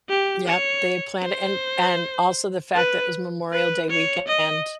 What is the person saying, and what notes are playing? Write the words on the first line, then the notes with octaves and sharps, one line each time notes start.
Yep, they had planned it, and and also the fact that it was Memorial Day weekend.
G4
C#5
C5
B4
B4
C#5
D#5